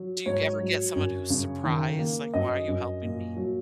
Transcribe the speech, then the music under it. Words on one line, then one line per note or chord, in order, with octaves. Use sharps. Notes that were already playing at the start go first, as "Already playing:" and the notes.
Do you ever get someone who's surprised? Like, "Why are you helping me?"
Already playing: F#3
G#2 C#5
F#3
F#2
C#3
D#3
A#3
F#2 D#5
F#2
A#2
F#3